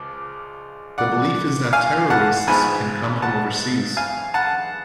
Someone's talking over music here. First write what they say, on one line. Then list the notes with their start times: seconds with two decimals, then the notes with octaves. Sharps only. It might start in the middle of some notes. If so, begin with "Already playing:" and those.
The belief is that terrorists can come from overseas.
Already playing: C#2 C#3 F3 D5
0.98 D5 F#5
1.73 F5 G#5
2.10 F#5 A5
2.47 G#1 G#2 F3 B3 G#5 B5
3.22 F#5 A5
3.97 F5 G#5
4.34 F#5 A5